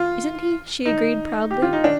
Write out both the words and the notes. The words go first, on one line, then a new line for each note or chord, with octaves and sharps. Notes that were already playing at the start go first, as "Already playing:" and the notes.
"Isn't he?" she agreed proudly.
Already playing: F4
D#4
G4
F4
D#4
D4